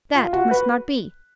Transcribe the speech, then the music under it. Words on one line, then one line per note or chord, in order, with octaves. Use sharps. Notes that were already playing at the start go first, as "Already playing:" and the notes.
That must not be.
F4
F#4
B4